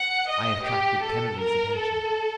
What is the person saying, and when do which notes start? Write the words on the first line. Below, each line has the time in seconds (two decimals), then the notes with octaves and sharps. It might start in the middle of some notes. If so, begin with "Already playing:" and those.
I attracted Kennedy's attention.
Already playing: F#5
0.29 D#5
0.65 G4
1.02 A4
1.39 A#4
1.77 A4